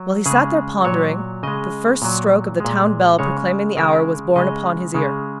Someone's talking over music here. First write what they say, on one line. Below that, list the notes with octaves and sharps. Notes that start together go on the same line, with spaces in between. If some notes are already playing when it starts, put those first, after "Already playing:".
While he sat there pondering, the first stroke of the town bell proclaiming the hour was borne upon his ear.
Already playing: F#3
C#3 G#3 G#4
A#2 F#3 C#5
C#3 G#3 D#5
A#2 F#3
A#2 G#3
C#3 G#3 C#5
C#3 G#3 A#4
C#3 G#3 D#5
C#3 G#3